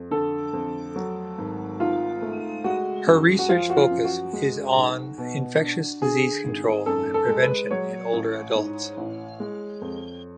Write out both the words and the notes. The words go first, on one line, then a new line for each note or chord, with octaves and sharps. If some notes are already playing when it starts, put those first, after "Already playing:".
Her research focus is on infectious disease control and prevention in older adults.
Already playing: F2
D3 A4
F2
F#3
G#1
G#2 F4
A3
G#3 F#4
F#2
F#4
F3 F4
F#4
F4
F#2
F#4
G#3
B1
B2
D4
D3 G#4
G#1
F#2 A4
A4
G#3
B4
F#3 C#5
A1
G#2
A1
G#3
F2